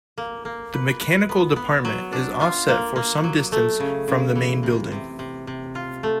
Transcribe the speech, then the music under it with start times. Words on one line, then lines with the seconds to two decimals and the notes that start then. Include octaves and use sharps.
The mechanical department is offset for some distance from the main building.
0.18 A#3
0.45 A#3
0.74 B4
1.01 B4
1.29 B3
1.56 B3
1.85 F#3
2.13 D4
2.41 F4
2.68 A#3
2.96 A#3
3.24 F#3
3.52 A3
3.80 C#3
4.08 C#3
4.35 E3
4.63 C3
4.92 C3
5.19 C3
5.47 C3
5.75 F4
6.03 A3